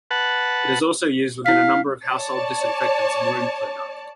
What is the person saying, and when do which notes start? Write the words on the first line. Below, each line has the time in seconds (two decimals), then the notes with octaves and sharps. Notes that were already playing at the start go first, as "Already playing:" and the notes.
It is also used within a number of household disinfectants and wound cleaner.
0.11 B4 F#5 A5
1.46 E4 F5 B6
2.06 C#5 D5 A5